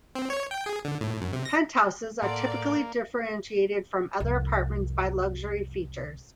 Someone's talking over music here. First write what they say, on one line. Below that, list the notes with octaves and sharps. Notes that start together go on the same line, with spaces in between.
Penthouses are typically differentiated from other apartments by luxury features.
C4
C#5
G5
G#4
D3
A2
F#2
C3
A#6
A2 A#3 A4 D5 F#5 C6
C2 F2